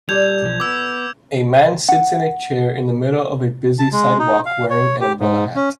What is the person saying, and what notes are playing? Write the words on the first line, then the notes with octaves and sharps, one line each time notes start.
A man sits in a chair in the middle of a busy sidewalk wearing an umbrella hat.
A#2 G3 A4 D5 G6 G#6 F7
B1 F3
B3 D6 E6
F#5
A5
G#3
D#4
F5
C#5
G4
G#2
C#4